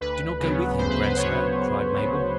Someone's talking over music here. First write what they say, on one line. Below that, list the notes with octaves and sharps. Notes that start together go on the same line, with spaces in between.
"Do not go with him, grandsire," cried Mabel.
D2 B4
C#3 F#3 B3
D2 C5
B4
C5
C#3 F#3 B3 C#5
D2
C#3 F#3 B3